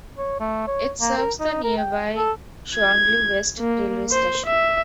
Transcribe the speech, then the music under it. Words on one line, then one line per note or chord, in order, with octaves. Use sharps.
It serves the nearby Shuangliu West railway station.
C#5
A3
C#5
A#3
A#4
D#4
A#4
G5
A4
G#6
A#3
C5
E5